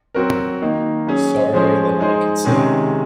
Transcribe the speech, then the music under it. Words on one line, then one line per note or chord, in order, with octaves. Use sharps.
Sorrier than I can say.
F#3 C4 F#4 A#4
D#3 A#3 D#4
F#3 C#4 G#4
F3 G#3 C#4 G#4 C5
G#3 D#4 G#4 C5
C3 D#3 G#3 C#4 G#4